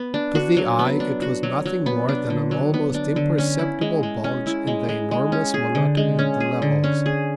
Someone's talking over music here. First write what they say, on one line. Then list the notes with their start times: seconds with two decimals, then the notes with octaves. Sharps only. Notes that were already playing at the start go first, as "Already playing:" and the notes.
To the eye it was nothing more than an almost imperceptible bulge in the enormous monotony of the levels.
Already playing: B3
0.14 D4
0.35 F#4
0.57 F#3
0.79 B3
1.00 D4
1.22 F#4
1.43 F#3
1.66 F#3
1.86 B3
2.09 D4
2.30 D3
2.51 F#3
2.74 B3
2.94 D4
3.16 D3
3.38 C#4
3.59 E4
3.81 G#3
4.03 G#3
4.24 C#4
4.46 E4
4.67 G#3
4.89 G#3
5.11 G#3
5.32 C#4
5.54 G#4
5.75 D3
5.97 G#3
6.19 C#4
6.40 G#4
6.62 D3
6.84 C#4
7.06 G#4